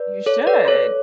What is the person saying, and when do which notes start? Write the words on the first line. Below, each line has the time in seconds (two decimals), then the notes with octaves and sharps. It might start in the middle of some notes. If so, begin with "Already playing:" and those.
You should.
Already playing: B4 D5
0.26 A4 C#5
0.47 B4 D5
0.68 A4 C#5